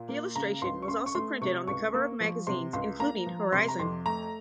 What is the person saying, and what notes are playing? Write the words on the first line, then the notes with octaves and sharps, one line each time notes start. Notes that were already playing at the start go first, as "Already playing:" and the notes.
The illustration was also printed on the cover of magazines, including "Horizon".
Already playing: A#2
A#3
C#3 A#5
C#2 C6
C#6
C#4 C6
C#6
A3 C6
C3 C#6
C#2 C#6
A#3
F3
C3 C6
C#2 C6
A#3 A#5
F3
C3 C6
A#5
F2 C6
A3 A#5